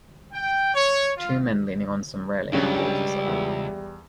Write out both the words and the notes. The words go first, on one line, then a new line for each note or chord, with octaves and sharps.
Two men leaning on some railing at water side.
G5
C#5
F4
C#2 G2 C#3 F#3 G3
E2